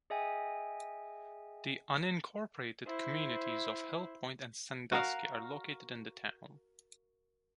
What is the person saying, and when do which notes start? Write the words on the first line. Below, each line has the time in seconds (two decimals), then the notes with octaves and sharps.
The unincorporated communities of Hill Point and Sandusky are located in the town.
0.10 G#4 D#5 E5 G5 G#5
2.87 E4 C5
4.92 F#4 A#4 F5